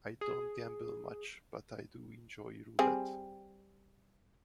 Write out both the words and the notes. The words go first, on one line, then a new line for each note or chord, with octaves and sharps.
I don't gamble much, but I do enjoy roulette.
G#4
G3 C4 G#4